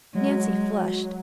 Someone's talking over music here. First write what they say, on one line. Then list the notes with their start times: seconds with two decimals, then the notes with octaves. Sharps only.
Nancy flushed.
0.14 F#3 G#3